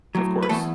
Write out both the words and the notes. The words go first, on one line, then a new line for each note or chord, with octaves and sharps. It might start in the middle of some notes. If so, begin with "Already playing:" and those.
Of course.
A2 F#3
B4
E2 E3 A3 A4